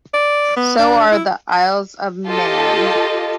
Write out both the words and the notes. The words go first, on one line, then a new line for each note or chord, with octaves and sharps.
So are the Isle of Man.
D5
B3
D4
E4
F4 G4 A4 D#5 A5